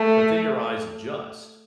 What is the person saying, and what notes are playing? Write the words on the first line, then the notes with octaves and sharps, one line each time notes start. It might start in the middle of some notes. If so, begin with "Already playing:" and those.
but then your eyes adjust.
Already playing: A3